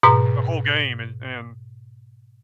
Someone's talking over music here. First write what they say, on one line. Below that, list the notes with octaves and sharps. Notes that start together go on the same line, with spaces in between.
the whole game and and
G#2 B2 A#5